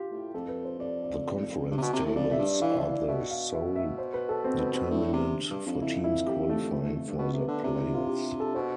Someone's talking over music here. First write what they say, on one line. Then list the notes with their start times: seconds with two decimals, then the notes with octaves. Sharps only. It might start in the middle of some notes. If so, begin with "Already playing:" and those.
The conference tables are the sole determinant for teams qualifying for the playoffs.
Already playing: F4 G4
0.11 A2
0.34 F2 A4
0.48 B4
0.65 C5
0.79 F2 D5
1.03 D5
1.71 G2
1.77 C3
1.82 B2
1.93 C3
2.05 A2
2.16 F2 D5
2.30 F2 E5
2.38 G2
2.46 D5
2.61 E3 F5
2.77 F3 E5
2.85 E3
2.92 D5
3.08 B2 E5
3.31 F5
3.53 E5
3.76 E5
3.98 C5
4.14 B4
4.29 A4
4.44 C4
4.59 B3
4.74 C4
4.90 A2 D4
5.13 C3
5.51 G2
5.66 F2
5.82 F2 E4
6.04 E4
6.27 G4
6.49 A3
6.72 F2
6.83 E2
6.95 F2
7.07 G2
7.19 B2 B3
7.33 C3
7.41 B3
7.48 D3
7.64 C3 D4
7.79 E4
7.94 F4
8.09 G4
8.40 A4
8.55 B2 C5